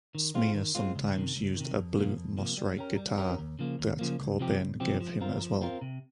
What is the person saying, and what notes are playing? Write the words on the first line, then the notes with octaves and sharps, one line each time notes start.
Smear sometimes used a blue Mosrite guitar that Cobain gave him as well.
D#3
G#3 C4 F4
D#3
G#3 C4 F4
C#2
C3 D#3
C#2
C3 D#3
F2
C3 F3 A#3
F2
C3 F3 A#3
G3
C#4 G4 A#4
G3
C#4 G4 A#4
D#2
C#3 F3 A#3
D#2
C#3 F3 A#3
C#2
C3 F3 C4 G4
C#2
C3 F3 C4 G4
F3
C4 F4 A#4
F3
C4 F4 A#4
C3